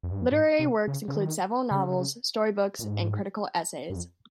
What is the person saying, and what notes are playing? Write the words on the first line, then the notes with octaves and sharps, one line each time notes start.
Literary works include several novels, story books and critical essays.
F2
G2
F2
G#2
C3
C#3
C#3
D#3
C#3
A#2
G#2
G2
F2